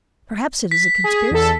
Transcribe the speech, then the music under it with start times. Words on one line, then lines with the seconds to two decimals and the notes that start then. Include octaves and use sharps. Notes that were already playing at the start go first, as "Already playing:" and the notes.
Perhaps it is a conspiracy.
0.71 B6
1.04 G#4
1.31 E2 A4